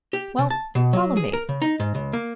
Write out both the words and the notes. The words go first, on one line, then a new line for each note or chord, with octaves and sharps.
"Well, follow me."
G4
C3
A5
B2
F#3
G#4
A#4
C#3
D#4
G#2
C#2
A#3